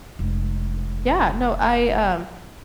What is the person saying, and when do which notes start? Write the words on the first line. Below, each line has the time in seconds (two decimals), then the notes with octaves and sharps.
Yeah, no, I, um
0.19 F1 G#3